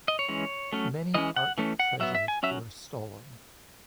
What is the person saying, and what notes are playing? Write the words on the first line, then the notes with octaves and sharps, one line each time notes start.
Many art treasures were stolen.
D#5
C#5
E3 G#3 C#4
F#3 A3 C#4
E3 G#3 C#4 D#5
F#5
E3 A3 C#4
F#5
F#3 B3 E5
E5
G#5
F#3 C#4 E5